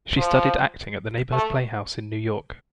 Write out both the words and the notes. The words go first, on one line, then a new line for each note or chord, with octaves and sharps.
She studied acting at the Neighborhood Playhouse in New York.
F3
A3